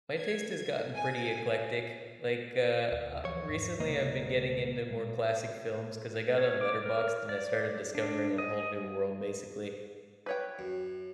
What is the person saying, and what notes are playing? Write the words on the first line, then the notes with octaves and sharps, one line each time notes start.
My taste has gotten pretty eclectic. Like, uh uh, recently I've been getting into more classic films, 'cause I got on Letterboxd and I started discovering a whole new world, basically.
G#6
G#5
D2
E3 F3 C#5
E2 G#2 F3
C#2 G2 C3 A#3 D#5
A#2 G#3
C#5
D6
A#4
D5
D4
D#5
B4 C#5 G5
F#2